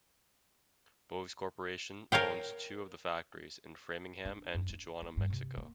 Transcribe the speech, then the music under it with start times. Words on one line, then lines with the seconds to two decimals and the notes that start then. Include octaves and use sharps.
Bose Corporation owns two of the factories - in Framingham and Tijuana, Mexico.
2.12 A#4 C#5 F5 G5
4.25 D4
4.54 F#2
4.70 D4
5.02 B3
5.17 G2
5.30 C3
5.57 A#3